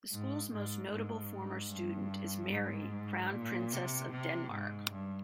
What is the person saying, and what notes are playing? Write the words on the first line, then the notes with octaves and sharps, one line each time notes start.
The school's most notable former student is Mary, Crown Princess of Denmark.
G#2
G#2
G#2
G2
G#2
A#2
C3
C3
G#2
G2